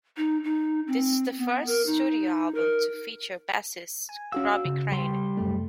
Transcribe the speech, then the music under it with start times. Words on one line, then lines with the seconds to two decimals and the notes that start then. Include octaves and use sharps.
This is the first studio album to feature bassist Robbie Crane.
0.17 D#4
0.44 D#4
0.87 C4
1.38 B3
1.67 A#4
1.86 D#4
2.55 A#4
4.09 G#5
4.32 C#4 F#4 F5 E6
4.65 C#3
4.92 G3 C6
5.37 F#2 C3 A3